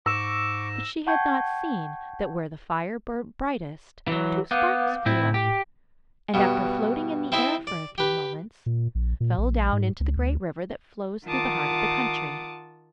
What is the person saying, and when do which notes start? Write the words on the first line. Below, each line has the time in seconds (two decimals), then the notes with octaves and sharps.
But she had not seen that where the fire burnt brightest two sparks flew up, and, after floating in the air for a few moments, fell down into the great river that flows through the heart of the country.
0.06 G#2 C#6 D6 E6 A#6 E7
1.07 F#5 G5 A5 C#6 G6 G#6
4.07 E3 F#3
4.51 B3 F5 D6 G6
5.06 A2 C4 E4
5.34 G4
6.34 G2 B2
7.32 C4 E4 D#5 E5
7.67 D5
7.98 G4 B4
8.66 A#2
8.95 A#1
9.20 A#2
9.38 A#1
9.72 G#2
10.00 C#2
10.17 D2
11.26 D#3 F4 F#5 A5 D6 D#6